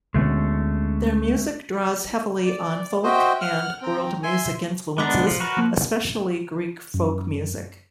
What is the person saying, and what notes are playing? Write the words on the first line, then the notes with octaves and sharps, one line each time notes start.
Their music draws heavily on folk and world music influences, especially Greek folk music.
D2 D3 G#3 A3 B3 C#4
D5
F#4 C5 D#5 E5 G5
F#5 F6
C4 G5 A#5
E5 G#5 C6
G#3 B3 D4 A#5 D6
F3
F#4 A#4 B4
F3 A#3
F#2